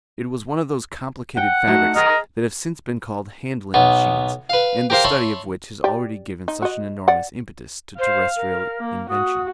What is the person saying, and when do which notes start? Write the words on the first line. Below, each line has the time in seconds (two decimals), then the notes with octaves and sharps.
It was one of those complicated fabrics that have since been called handling-machines, and the study of which has already given such an enormous impetus to terrestrial invention.
1.37 F#5 G5
1.67 A3 D#4 F#4
1.96 G#4 D#5 A#5 F6
3.74 B1 B3
4.50 B4 F5
4.90 G4 A#4 C5 F5
5.04 C#5 E5 A5 B5 C6
5.84 G4 D5
6.48 D#4
6.62 F#4 D#5
7.08 D5 F#5
7.99 C5 F5
8.36 A#4
8.80 A#3
9.10 F#4 D#6